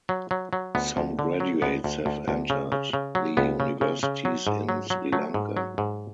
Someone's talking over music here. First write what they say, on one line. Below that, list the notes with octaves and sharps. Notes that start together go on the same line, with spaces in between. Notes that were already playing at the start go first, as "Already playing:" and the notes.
Some graduates have entered the Universities in Sri Lanka.
F#3
F#3
F#3
D2 B3
D2
D3
F#3
D2 B3
D2
D2
D2
C#3
C#3
C#3
F#3
C#2 B3
C#3
C#3
C#3
F#3
G#2
F#3
F#3
F#3 A3
G#2
F#3
G#2